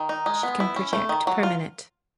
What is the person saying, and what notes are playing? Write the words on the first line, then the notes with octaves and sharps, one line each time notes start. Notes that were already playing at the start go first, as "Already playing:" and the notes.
She can project per minute.
Already playing: D#3
D#4
G#3
B3
E4
C#4
A3
D#3
F#3
F4